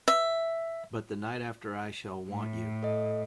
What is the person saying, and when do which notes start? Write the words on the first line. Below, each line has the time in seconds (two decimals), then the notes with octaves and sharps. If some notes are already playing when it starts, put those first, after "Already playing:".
But the night after I shall want you.
0.08 E5
2.30 A2
2.83 A4 D#5